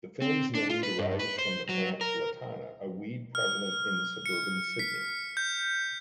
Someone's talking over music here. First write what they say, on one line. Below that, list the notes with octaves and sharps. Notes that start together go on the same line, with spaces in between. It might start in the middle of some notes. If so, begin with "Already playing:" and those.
The film's name derives from the plant Lantana, a weed prevalent in suburban Sydney.
C4
D4
F4
B4
G2
B4
C5
F#3
A#4
F6
C#7
B6
G6